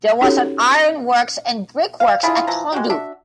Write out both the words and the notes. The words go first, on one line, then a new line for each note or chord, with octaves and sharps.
There was an ironworks and brick works at Tondu.
C#4 D#4 F#4 G4 A4 C#5
F5
D3 E4 F4 G#4
E3 F3 A#5
G#3 F#4 G4
D4 F#4 E5